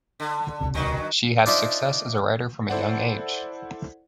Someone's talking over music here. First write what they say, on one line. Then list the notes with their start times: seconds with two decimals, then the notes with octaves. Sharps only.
She had success as a writer from a young age.
0.20 D3
0.61 D#1 C#2 C3
0.74 G2 D#3 F#3
1.46 D4 D#4 F4 C5 D5 E5
2.70 E4 A4 C5 D5 F#5